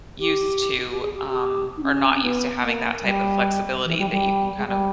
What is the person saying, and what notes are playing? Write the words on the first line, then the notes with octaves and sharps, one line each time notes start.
used to, um, or not used to having that type of flexibility that you can kind of
G4
G4
G#4
G4
G4
D#4
C#4
C#4
B3
A#3
G3
E3
G3
E3
G3
G#3
G3